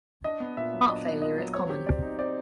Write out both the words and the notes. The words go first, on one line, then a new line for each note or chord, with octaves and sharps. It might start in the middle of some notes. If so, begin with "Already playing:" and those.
Heart failure is common.
D4 D#5
B3
A#2 E5
F#3
D4 D#5
B3
A#2 D#5
F#3
C4 C#5
G4
C4 D5
D#4
C4 D5